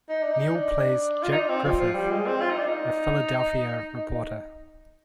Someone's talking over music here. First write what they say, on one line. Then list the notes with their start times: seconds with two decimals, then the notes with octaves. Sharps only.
Neal plays Jack Griffith, a Philadelphia reporter.
0.09 D#4
0.23 D4
0.32 D#4
0.56 D4
1.23 F4
1.32 D#4
1.40 D4
1.49 C4
1.64 F3
1.79 F3
1.95 G3
2.10 G#3
2.26 C4
2.41 F4
2.50 D#4
2.58 D4
2.67 D#4